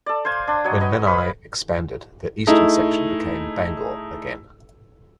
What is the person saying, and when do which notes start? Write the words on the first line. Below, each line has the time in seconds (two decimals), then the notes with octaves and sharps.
When Menai expanded, the eastern section became Bangor again.
0.06 A4 D5
0.25 C5 F5 G#5
0.47 D4
0.64 F#3 C#5 D#5
0.80 B4 D#5 F#5 G5
1.06 B4 F5 B5 C#6
2.47 A3 D#4 E4 G#4